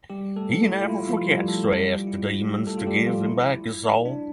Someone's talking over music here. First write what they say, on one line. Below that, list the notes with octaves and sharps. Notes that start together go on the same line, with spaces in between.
He never forgets to ask the demons to give him back his soul.
G3 G4
A3 A4
E4
F4
E4
F3 F4
G3 G4
A3 A4
G3 G4
F4
E4
G3 G4
A3 A4
F4
G3 G4
F3 F4
E4
D4